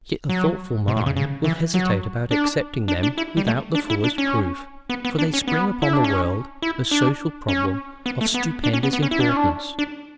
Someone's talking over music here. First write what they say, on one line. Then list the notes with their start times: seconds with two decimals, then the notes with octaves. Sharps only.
Yet the thoughtful mind will hesitate about accepting them without the fullest proof, for they spring upon the world a social problem of stupendous importance.
0.29 F#3
0.88 B2
0.97 A2
1.06 C#3
1.16 C#3
1.44 E3
1.74 F#3
2.31 D4
2.88 D4
3.03 D4
3.18 E4
3.37 G3
3.47 A3
3.75 D4
3.90 E4
4.04 D4
4.18 C#4
4.89 B3
5.05 B3
5.18 D4
5.33 C#4
5.48 B3
5.82 E4
5.93 D4
6.04 C#4
6.62 E4
6.91 D4
7.48 C#4
8.06 B3
8.21 A3
8.34 B3
8.64 D4
8.73 C#4
8.83 B3
8.93 B3
9.02 C#4
9.11 E4
9.20 D4
9.29 C#4
9.37 D4
9.79 D4